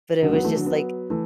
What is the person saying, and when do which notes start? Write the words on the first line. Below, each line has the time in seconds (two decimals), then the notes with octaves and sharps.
but it was just like
0.22 D3 F#3
0.29 A3
0.33 F#3 B3
0.44 E3 A3
0.55 D3 F#3
0.66 F#3 B3
1.10 E3 A3